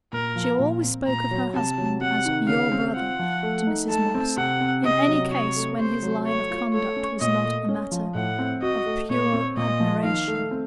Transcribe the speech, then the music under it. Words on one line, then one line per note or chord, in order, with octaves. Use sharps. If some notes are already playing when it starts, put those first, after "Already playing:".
She always spoke of her husband as "your brother" to Mrs. Moss in any case when his line of conduct was not matter of pure admiration.
A#2 A#4
F3
A#2
C4
A#2 A#5
F#3
C3 A5
F#3
C3 F#5
D#3
C#3 F5
C4
F4 F#5
F3
A3
D#4
A3 A5
C4
C3 F#5
C4
C3 D#5
F#3
C3 C#5
A3
C3 C5
F#3
A3 C#5
F4
A3 C#5
C#4
A#2 D#5
A3
C#4
F3
A2 F#5
C4
F#4 D#5
A3
A#2 C#5
C4
A#2 D#5
F3
D#3 F5
A3
C4